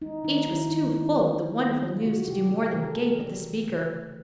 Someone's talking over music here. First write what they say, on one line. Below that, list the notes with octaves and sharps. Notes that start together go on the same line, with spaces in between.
Each was too full of the wonderful news to do more than gape at the speaker.
G#3 D#4
D#3 D#4
D#3 E4
D#3 D#4
D#4
G#3 E4
D#3
G#3
D#3
E3 F4
C3 F#4
C3 G4
A3 G#4
C3 A#4
A4
E3 A#4
E3
E3
C#3
A3